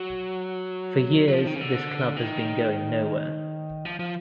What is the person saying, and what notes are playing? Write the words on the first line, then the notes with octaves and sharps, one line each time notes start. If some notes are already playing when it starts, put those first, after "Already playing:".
For years this club has been going nowhere.
Already playing: F#3
F#3
F3
D#3
C#3
D3
D#3
F3
F3